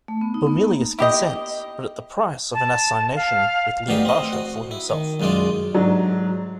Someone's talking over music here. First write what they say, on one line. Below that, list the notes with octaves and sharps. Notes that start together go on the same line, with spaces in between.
Bomelius consents, but at the price of an assignation with Lyubasha for himself.
A3
B3
D#4
B3
A#3
E4 G4 D#5
A5
F5
D2 B2 D3 E3 G4 A#5
C4 D#5
F#4
E4
D#3
B1 F#2 G#3 F4 D5
G#2 F#3 D4